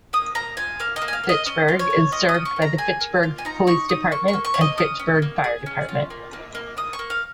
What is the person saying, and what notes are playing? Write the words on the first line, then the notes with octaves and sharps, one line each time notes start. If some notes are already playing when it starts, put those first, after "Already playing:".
Fitchburg is served by the Fitchburg Police Department and Fitchburg Fire Department.
A#3 D#6
A#3 A#5
F4 G#5
A#3 F5
D#5
A#3
G#5
F5
A#3
D#5
C#4 D#5
F4
C#5
F4
C#4 D#5
D#6
C#4
C#6
A#3
A#5
G#4 G#5
A#3
F4
G#5
D#4 A#5
D#4 C#6
D#4 D#6
A#3 C#6
C#6
A#3
C#6
A#3 C#5
D#5
C#4 D#6
C#4
A#3
G#4
C#4
F4
A#3
A#3
A#3
A#3 D#6
C#6
A#3
F5